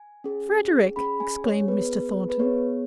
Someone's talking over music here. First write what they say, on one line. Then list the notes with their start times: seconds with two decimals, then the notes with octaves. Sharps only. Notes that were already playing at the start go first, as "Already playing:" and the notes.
'Frederick!' exclaimed Mr. Thornton.
Already playing: G#5
0.24 C#4 G#4
0.96 C#4 G#4 B5
1.20 G#5
1.44 C#5
1.68 B3 G#4 B4
2.30 B4
2.40 B3 G#4 C#5